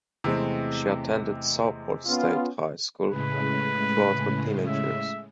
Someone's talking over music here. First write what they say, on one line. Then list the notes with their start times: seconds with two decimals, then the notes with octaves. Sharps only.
She attended Southport State High School throughout her teenage years.
0.24 E2 C3 G#3 A3 C4
2.06 B3 C#4 F4
3.09 A2 C#3 G#3 B4
4.67 E5